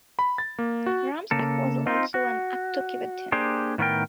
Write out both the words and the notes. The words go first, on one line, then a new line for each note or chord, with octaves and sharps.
Ramspeck was also an active Civitan.
B5
A6
A#3
F#4
C#3 A#3 A4
C4 D#4 F4
F#4
A#3 D4 G4 G#4 C5
A2 D#3 B3 C4 A#4 G5